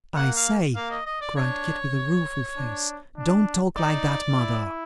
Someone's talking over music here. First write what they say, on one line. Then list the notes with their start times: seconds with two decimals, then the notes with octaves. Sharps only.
'I say,' cried Kit with a rueful face, 'don't talk like that, mother.'
0.16 A#3 F#5
0.36 F5
0.75 A#3 F5
0.91 D#5
1.06 D#5
1.21 D5
1.36 D4 C#5
2.56 D4
3.17 D4
3.77 D#4 D5
4.37 E4